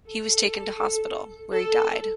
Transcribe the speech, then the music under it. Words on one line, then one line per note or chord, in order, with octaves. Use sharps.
He was taken to hospital, where he died.
A4
A4